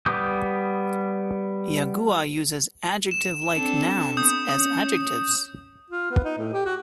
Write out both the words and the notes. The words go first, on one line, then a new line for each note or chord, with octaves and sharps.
Yagua uses adjective-like nouns as adjectives.
G3 B3 D6 D#6 G6
E7
C4 D4 A4
B3 D#6 G6
C#4 D#6
F4
B3
D#4
A2
G4
F#4